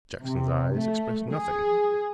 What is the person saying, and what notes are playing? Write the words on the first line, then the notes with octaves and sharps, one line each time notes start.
Jackson's eyes expressed nothing.
C3
A3
G#4